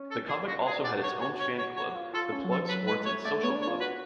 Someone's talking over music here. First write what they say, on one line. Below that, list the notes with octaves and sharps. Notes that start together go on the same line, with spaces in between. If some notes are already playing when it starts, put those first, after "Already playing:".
The comic also had its own fan club, the "Plug Sports and Social Club".
Already playing: C#4
A4
G#4
F4 F#4
F4
G#4
D4
F#4 D5
C#5
C#5
C#5
C#5
C#5
F4
F4 A4
C#4
F#3
A4
F3
F#3 B4
G#3 B4
A3 C#5
A3 D5
B3 C#5
C#4
D4
C#5
F4
F#4 B4